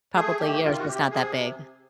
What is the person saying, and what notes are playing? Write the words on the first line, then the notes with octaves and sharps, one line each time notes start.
Probably yours is not that big.
A3 G#4
D#3 G4
C3 F4
F#4
C3 G4
C3 G#4